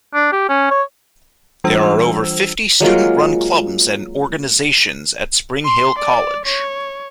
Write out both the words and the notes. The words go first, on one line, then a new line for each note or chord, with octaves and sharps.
There are over fifty student-run clubs and organizations at Spring Hill College.
D4
G4
C#4
C#5
E3 G3 D4 F4 C5 E6
F#3 G#3 A#3 F4
C6
D5
C#5